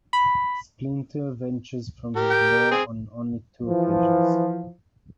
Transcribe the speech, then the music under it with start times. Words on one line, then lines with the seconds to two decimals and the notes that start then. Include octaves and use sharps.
Splinter ventures from his lair on only two occasions.
0.13 B5
2.16 G4 A#4
2.30 G5
2.71 C4 G#4
3.66 E3 F3